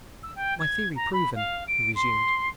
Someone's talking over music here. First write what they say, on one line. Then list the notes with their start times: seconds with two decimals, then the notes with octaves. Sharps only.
"My theory proven," he resumed.
0.22 E6
0.35 G5
0.59 G#6
0.96 A#5
1.13 B5
1.35 F5
1.67 D7
1.95 C6